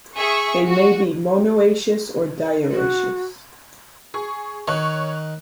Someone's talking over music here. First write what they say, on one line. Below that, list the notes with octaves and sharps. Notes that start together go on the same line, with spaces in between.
They may be monoecious or dioecious.
G#4 E5 C#6
F#4
F#4
G#4 C#6
D#3 C#5 C#6 F#6